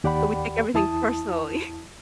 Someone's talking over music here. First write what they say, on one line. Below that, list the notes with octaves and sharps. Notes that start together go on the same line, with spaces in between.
So we take everything personally.
D#2 G4 D5 F#5 G5 B5
E2 E4 A5 D#6